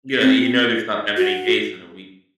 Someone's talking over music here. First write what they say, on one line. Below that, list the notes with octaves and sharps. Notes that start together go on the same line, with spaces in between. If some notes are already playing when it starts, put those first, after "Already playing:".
Yeah, you know, there's not that many days in a week,
C4
F#4